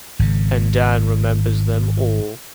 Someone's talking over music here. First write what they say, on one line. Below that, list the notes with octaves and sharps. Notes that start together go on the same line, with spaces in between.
And Dan remembers them all.
G#1 C#3